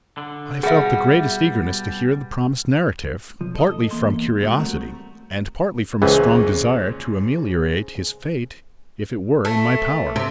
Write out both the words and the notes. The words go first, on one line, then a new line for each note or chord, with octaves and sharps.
I felt the greatest eagerness to hear the promised narrative, partly from curiosity and partly from a strong desire to ameliorate his fate if it were in my power.
D3
B2 G3 G#4 E5 F#5
B1 F3
A4 D#5
E2 A#3 C6
G#3 A3 F#4 A4
G3 A3 C4 F#4 A#4 A#5
C#2 A#2 C#3 E3 G#3 C#4 C5
A3
C3